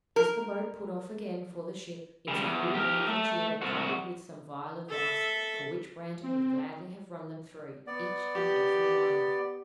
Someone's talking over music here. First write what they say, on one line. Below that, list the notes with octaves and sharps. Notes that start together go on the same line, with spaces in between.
As the boat put off again for the ship, its crew gave a cheer coupled with some vile advice, for which Brandon would gladly have run them through, each and every one.
A#4
C#3 G3
E2
G4 A#4
A3
C2 F#4
A4 E5
C4
B3 D5
G4